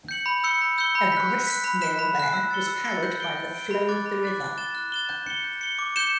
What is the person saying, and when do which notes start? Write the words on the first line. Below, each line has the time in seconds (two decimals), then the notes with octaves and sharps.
A grist mill there was powered by the flow of the river.
0.08 G6 C#7 F#7
0.26 B5
0.44 E6 G6 C#7 G7
0.61 B5
0.78 E6 G6 C#7 G7
0.95 B5
1.12 F#6 B6
1.30 B5
1.47 F#6 B6
1.64 B5
1.81 F#6 B6 E7
1.99 B5
2.16 F#6 B6 E7
2.33 E6
2.51 A6 C#7 G7
2.67 E6
2.85 A6 C#7 G7
3.03 G6
3.20 D7 G7
3.37 G6
3.55 D7 G7
3.71 B5
3.89 D6 F#6 A6
4.06 B5
4.23 D6 F#6 A6
4.40 F#6
4.58 A6 E7 G7
4.75 F#6
4.92 A6 E7 G7
5.09 G6
5.27 C#7 G7
5.44 G6
5.61 C#7 G7
5.79 D6
5.96 G6 C#7 E7 G7